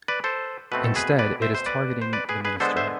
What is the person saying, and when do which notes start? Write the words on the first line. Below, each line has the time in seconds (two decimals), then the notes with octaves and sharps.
Instead, it is targeting the minister.
0.08 B4 D5
0.24 A4 C5
0.72 B2 A3 C4 B4
0.84 A4
0.96 G#4 B4
1.19 B4 D5
1.42 C5 E5
1.55 C5
1.66 B4 D5
2.02 C5
2.13 B4 D5
2.29 G#4 B4
2.45 G#4 B4
2.60 D3 G#3 B3 A4 C5
2.77 C5 E5